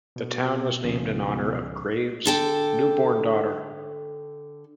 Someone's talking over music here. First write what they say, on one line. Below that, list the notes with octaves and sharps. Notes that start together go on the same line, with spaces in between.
The town was named in honor of Graves' newborn daughter.
B2
C#2 C#3 F3
D3 A4 G5